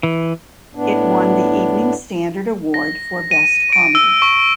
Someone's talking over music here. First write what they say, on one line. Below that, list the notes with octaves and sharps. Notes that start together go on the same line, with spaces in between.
It won the Evening Standard Award for Best Comedy.
E3
A2 B3 D4
A#6
D#7
D7
E6
C#6